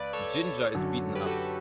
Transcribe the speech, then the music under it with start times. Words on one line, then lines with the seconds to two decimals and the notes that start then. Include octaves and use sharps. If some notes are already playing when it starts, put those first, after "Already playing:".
Ginger is beaten up.
Already playing: C#2 B4 D5
0.13 A4 C#5
0.33 A4 C#5
0.74 F#2 D3 F#3
1.15 G4 B4
1.26 F#4 A4